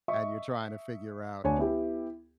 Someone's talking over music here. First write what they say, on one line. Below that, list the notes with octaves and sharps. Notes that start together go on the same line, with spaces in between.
and you're trying to figure out
D#5 E5 C#6
D2 D4 C#5 G#5
B3 E4 G4